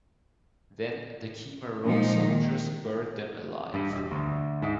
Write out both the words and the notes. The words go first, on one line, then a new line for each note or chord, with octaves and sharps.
Then the Khmer Rouge soldiers buried them alive.
A#2 F3 G#3 D#4
D#3
G2
E1
D2
G#2